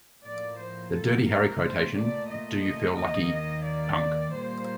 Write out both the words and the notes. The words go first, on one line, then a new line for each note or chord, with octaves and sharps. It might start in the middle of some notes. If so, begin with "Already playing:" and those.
The Dirty Harry quotation Do you feel lucky, punk?
A2 F3 A#3 D5
C5
A4
A#4
A#2 A3 C5
D5
D#5
D#5
D#2 D#3 A#3 D#5
D5
A#2 G3 A#3 C5